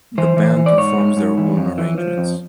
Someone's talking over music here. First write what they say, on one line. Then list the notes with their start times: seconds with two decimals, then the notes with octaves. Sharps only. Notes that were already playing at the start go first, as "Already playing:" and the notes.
The band performs their own arrangements.
0.18 E3 C5
0.37 E3
0.57 E3
0.66 D5
0.78 G#2 C#5
0.98 G#2
1.17 G#2
1.38 E3
1.57 F2
1.78 E3
1.98 F3
2.18 F2